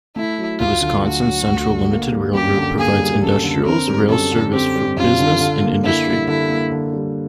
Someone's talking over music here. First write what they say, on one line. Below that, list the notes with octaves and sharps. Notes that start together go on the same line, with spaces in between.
The Wisconsin Central Limited Railroad provides industrials rail service for business and industry.
A3 E4
F#3
D2 F4
D3
A3 F#4
F#3
D2
D3
A#3
G3
F#2 G4
D3
A#3 G#4
G3
F#2 A4
D3
C4 A#4
G3
F#2 A4
D3
C4 G4
G3
F#2 F4
D3
D3
A#3
D3 E4
G3
D3 E4
A#3
D3
G3